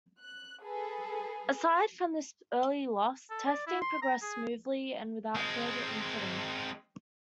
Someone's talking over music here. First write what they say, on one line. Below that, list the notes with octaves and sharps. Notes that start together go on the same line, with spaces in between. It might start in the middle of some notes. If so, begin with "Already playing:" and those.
Aside from this early loss, testing progressed smoothly and without further incident.
F#6
G#4 A4 B4
A4
D5
E4
C6
A#5
G#4
G#3 C4